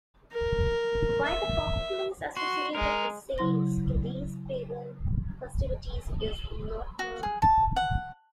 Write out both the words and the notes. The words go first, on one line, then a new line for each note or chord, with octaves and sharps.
Why the populace associated the saints to these pagan festivities is not known.
A#4
E5
F#4 C6
G#3 A#4
C#3 F#3 E4 C6 A#6
F#4
G#4
A5
F#5